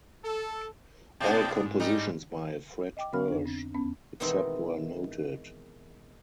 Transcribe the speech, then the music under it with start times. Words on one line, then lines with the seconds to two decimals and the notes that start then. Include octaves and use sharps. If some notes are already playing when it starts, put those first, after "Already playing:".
All compositions by Fred Hersch except where noted.
0.25 A4
1.21 B2 B3 D4 G5 A5
1.65 G#2
1.80 G3 D#4
2.97 D#5 G5 D6
3.13 D3 B3 F5 B5 F6
3.28 F2 D4
3.46 C4
3.74 E2 B3 C#4 B5
4.20 B2 D#3 E3 G#3 C4 D#4